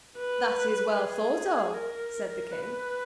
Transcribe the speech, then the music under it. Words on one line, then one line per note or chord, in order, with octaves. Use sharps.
"That is well thought of," said the King.
B4
G#4
A#4
B4